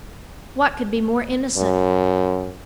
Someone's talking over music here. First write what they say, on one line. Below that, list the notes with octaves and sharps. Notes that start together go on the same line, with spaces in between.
What could be more innocent?
F#2